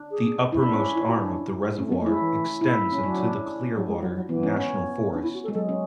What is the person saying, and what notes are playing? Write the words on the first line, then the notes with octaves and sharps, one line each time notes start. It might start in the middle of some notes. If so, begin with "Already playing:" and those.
The uppermost arm of the reservoir extends into the Clearwater National Forest.
Already playing: D4
G#4
E4
D4
C#4
E4
F#4
D4
A3 C#4
B3
C#4
A3
G#3 E4
E3
E4
C#4
F#3 D4
D4
C#4
F#3
G#3
F#3
F#3
E3 B3
C#4
C#4
D4
E4
F#4
A4
G#3
F#3 A4
C#4